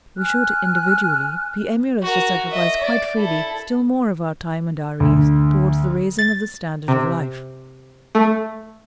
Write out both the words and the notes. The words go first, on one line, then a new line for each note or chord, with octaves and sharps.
We should, individually, be emulous to sacrifice quite freely still more of our time and our ease towards the raising of the standard of life.
G#5 F6 F#6
F#4 A#4
D#5 E5
D5
E4 A4
D2
A6
C3
A3